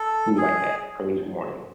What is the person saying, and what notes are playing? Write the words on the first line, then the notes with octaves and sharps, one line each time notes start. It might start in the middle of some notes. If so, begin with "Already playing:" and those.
food, like that early in the morning.
Already playing: A4
G#4